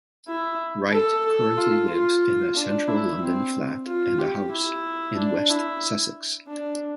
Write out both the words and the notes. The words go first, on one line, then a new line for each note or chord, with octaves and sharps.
Wright currently lives in a central London flat and a house in West Sussex.
E4
A4
A4
F4
F4
D4
E4
C4
F4
G4
E4
D4
E4
D4